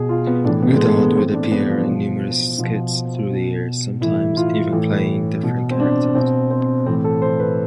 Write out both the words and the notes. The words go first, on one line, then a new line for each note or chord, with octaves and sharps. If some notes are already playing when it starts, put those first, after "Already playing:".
Goddard would appear in numerous skits through the years, sometimes even playing different characters.
Already playing: B2 G#4
F4
B3
A2 E3 D4
B3
G#3
A3
B3
A2 E3 C4
D4
B3
F3
B2
B2 F3
B2
A2 E3 E4
F4
A2 E3
B2
C4
D4
B2 C4
C4
A2 E3 C4
A4
C5
B4